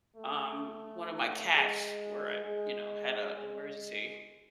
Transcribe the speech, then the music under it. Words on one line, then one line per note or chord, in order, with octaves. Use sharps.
um, one of my cats were you know, had an emergency.
A3
G#3
G#3
G#3